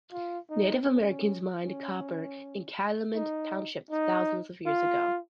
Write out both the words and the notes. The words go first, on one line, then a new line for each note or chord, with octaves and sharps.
Native Americans mined copper in Calumet Township thousands of years ago.
F4
D#4
C#4
C#4
D#4
D#4
F4